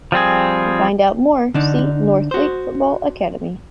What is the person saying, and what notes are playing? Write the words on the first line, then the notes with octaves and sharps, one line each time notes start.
To find out more see Northfleet Football Academy.
F3 G3 C4 G#4
D3 D4 D#4
F#4 C5